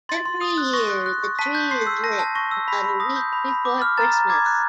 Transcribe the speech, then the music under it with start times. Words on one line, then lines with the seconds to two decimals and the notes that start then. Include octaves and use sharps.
Every year, the tree is lit about a week before Christmas.
0.09 C6 A6
0.25 C6
0.41 D#6
0.58 F#6
0.73 C#6 A#6
0.90 F#6
1.06 F#6
1.23 C#6
1.39 A5 B6
1.55 G6
1.71 C6 C7
1.87 E6
2.03 A5 A#6
2.19 A5
2.35 C#6 A#6
2.51 E6
2.68 B5 B6
2.84 B5
3.00 D#6 A#6
3.16 G6
3.33 B5
3.48 B5
3.65 D6
3.82 F6
3.97 A#5 A6
4.14 A#5
4.30 D6 G#6
4.46 F#6